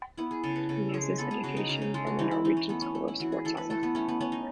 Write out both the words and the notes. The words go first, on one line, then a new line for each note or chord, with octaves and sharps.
He has his education from the Norwegian School of Sport Sciences.
B3 E4
G#4
C#3 A4
B4
C#3 A4
G#3 G#4
B3 A4
G#4
C#3 F#4
D#4
C#3 C#4
D#4
G#3 A4
F#4
E3 D#4
E4
E3 D#4
C#4
A3 B3
C#4
A3
E4
E3 F#4
G#4
E3 A4
B4
A3 A4
B3
A3 C#4
B3
B3 C#4
D#4